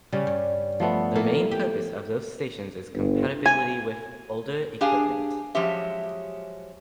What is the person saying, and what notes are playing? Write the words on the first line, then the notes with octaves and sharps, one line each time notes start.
The main purpose of those stations is compatibility with older equipment.
C#3 G3 C#4
G2
F3 A3 B3
A#3 E4 A4
G4
G1
G#5
D4 G4 G#4 F5 G#5
F3 F#3 G#3 C#4 G4 E5